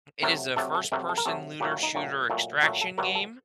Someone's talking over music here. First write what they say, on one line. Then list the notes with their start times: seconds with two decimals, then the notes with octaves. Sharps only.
It is a first-person looter shooter extraction game
0.22 C3 F#3 A3 A#4
0.56 C3 F#3 A3 A4
0.75 A4
0.92 C3 F#3 A3 A#4
1.09 A4
1.17 A#4
1.26 C3 F#3 A3 A4
1.60 A#2 F#3 A3 G4
1.71 F#4
1.83 D#4
1.95 A#2 F#3 A3
2.30 A#2 F#3 A3
2.63 A#2 F#3 A3 F#4
2.81 A4
2.98 G2 D3 F#3 A3 A#4
3.15 A4